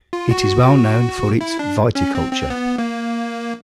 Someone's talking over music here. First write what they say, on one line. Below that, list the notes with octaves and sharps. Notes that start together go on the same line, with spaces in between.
It is well known for its viticulture.
F4
F#4
E4
D4
C#4
C4
C4
B3
A#3